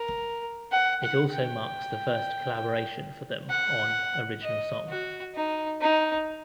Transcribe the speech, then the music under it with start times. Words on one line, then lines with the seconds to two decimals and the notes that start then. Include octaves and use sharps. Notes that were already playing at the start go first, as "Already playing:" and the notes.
It also marks the first collaboration for them on original song.
Already playing: A#4
0.72 F#5
1.03 F#5
1.33 G5
3.50 F#5
4.42 D#5
4.89 F#4
5.35 D#4
5.81 D#4